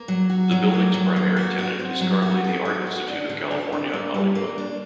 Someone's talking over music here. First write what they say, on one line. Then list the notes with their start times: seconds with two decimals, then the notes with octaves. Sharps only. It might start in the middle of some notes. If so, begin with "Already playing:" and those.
The building's primary tenant is currently the Art Institute of California-Hollywood.
Already playing: A#3
0.08 F#3
0.30 F#4
0.51 F#3
0.73 A#3
0.94 F#3
1.16 A#3
1.36 F#4
1.58 F#4
1.79 C4
2.01 F#3
2.22 F#4
2.44 A4
2.65 F#4
2.87 F#4
3.08 D4
3.29 D3
3.51 D4
3.72 D4
3.94 A#3
4.14 G3
4.35 A#3
4.58 D4